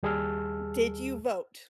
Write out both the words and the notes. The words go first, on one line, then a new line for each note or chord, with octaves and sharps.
"Did you vote?
D#2 G3 G#4 A5 E6 F6